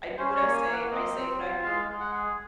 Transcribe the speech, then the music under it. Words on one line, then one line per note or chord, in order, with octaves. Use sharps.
I do what I say, I say what I do.
C#4 C5
C#5
A#3
G#5
A#3
F#5
C4 D#5
C4
F4
G#3 F5
G#3
F#5
G#4